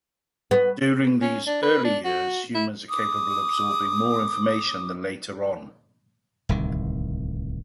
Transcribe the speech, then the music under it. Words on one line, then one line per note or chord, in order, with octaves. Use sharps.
During these early years, humans are capable of absorbing more information than later on.
B3
C#4
D4
B4
D4
F#4
E4
D6 D#6
D1 C2 D#3